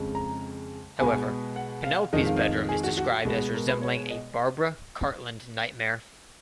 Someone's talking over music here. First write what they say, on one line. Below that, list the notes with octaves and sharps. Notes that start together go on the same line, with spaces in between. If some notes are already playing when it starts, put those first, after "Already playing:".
However, Penelope's bedroom is described as resembling a "Barbara Cartland nightmare".
Already playing: F2 C#3 G#3
A#5
B2 G#3 B3 G#5
F#5
F5
F2 D#3 G#3 D#5
F5
F5
D#5
G#4
F#4
F#4
B2 G#3 B3
A#4
B4
C#5
D#5